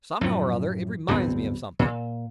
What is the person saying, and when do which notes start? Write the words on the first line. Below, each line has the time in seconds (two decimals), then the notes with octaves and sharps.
"Somehow or other, it reminds me of something."
0.21 F#2 A2 F3
1.08 D1 G2 B3 C4
1.79 A#2